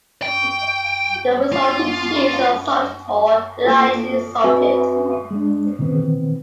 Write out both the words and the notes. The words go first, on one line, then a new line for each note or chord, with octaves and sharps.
The resulting cheese is unsalted or lightly salted.
G5
F4
A#3 F4 A4
C4 F#4 B4 E5 G#5
G#3 D4
B2 D#3 E3 B3 C4